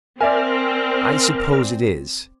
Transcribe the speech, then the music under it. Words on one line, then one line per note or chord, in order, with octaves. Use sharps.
I suppose it is.
C4 A#4 D5 E5 G#5